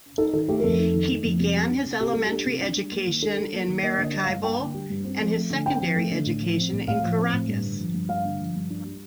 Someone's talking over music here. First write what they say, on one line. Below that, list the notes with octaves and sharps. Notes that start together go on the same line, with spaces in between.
He began his elementary education in Maracaibo, and his secondary education in Caracas.
D#4 A4
D#3 A4
A3 G4
A#4
F2 A4
D#4
D#3
A3
F2
C3
G3
D4
C3
C3 G4
G3 A4
D4 G4
C3
D4
G3
A#3
D#3
D4 A4
G3
A#3
D#3
A#3 D#5
D3
D#5
G3
F5
G2
A#3 G5
D3
G3
G2
C4
F3
A3
D3
C4 G5
F3
A3
D3
A2
F3
C4
A2
A2 F5
F3
C4
A2
G2
D3
F3
G2
G2 F5
D3
F3
G2
D4
G3